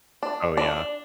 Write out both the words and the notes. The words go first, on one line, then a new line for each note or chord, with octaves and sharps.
Oh, yeah.
D4
D4